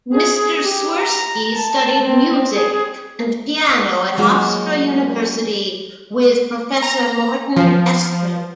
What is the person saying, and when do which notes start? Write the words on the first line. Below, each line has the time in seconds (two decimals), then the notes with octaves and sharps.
Mr. Swirsky studied music and piano at Hofstra University with professor Morton Estrin.
0.13 G#4
0.63 G4
1.00 A#5
1.54 A5
2.03 C4
2.53 G#4
4.18 F#3 G#3 A#3 D#4 F4 F#4
6.83 A#5
7.56 F3